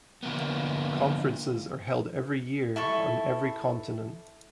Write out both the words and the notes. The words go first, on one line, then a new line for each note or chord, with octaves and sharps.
Conferences are held each year on every continent.
D3 F3 A#3 B3
E4 A4 C#6